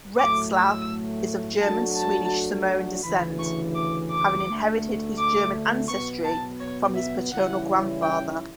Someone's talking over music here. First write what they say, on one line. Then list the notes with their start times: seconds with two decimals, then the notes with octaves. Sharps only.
Retzlaff is of German-Swedish-Samoan descent, having inherited his German ancestry from his paternal grandfather.
0.18 A2 F#3 A3 D6
0.54 E6
1.61 F#3 A3 D4 F#4 A4 A5
1.97 A5
3.04 D2 C#3 E3 B5
3.39 C#6
3.75 D6
4.11 D6
4.46 D2 D3 A3
5.18 D6
5.88 B2 F#3 B3 C#6
6.24 A5
6.60 C#5
6.95 E5
7.32 C#3 E3 G3 C#4 E4 F#5
8.02 G5